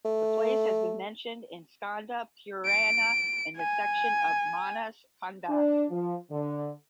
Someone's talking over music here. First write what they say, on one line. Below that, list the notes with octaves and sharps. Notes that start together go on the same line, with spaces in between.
The place has been mentioned in Skanda Purana in the section of "Manas Khanda".
A3
D7
G#5
D4
F3
D3